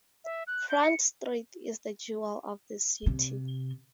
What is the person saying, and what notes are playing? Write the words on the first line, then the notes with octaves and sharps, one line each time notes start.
Front Street is the jewel of the city.
E5
F#6
G6
C#7
C3